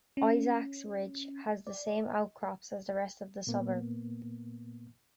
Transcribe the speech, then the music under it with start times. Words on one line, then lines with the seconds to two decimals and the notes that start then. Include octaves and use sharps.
Isaacs ridge has the same outcrops as the rest of the suburb.
0.17 C#4
1.67 D5
3.47 A#2 A#3 B3